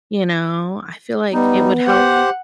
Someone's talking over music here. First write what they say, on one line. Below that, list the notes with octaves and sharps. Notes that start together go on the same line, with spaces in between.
you know, I feel like it would help
G3 B3 D#4
G4 C5 F#5